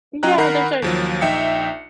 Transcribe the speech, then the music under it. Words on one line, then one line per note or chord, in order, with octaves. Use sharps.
Yeah, there's a
F#3 C#4 D#5 G5 A#5 F#6
D#3 A#4 F#5 B5 F#6 C7
D#2 F3 F#3
A#1 D#4 E5 G5 C#7